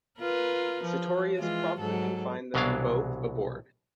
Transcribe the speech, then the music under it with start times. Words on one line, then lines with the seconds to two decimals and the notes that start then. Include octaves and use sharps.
Sartorius promptly confined them both aboard.
0.19 F4 A#4 B4
0.84 F3
1.38 E3 G#3 F4
1.79 G#2 F#3 A4
2.54 C2 B2 E3 F#3 D4 F5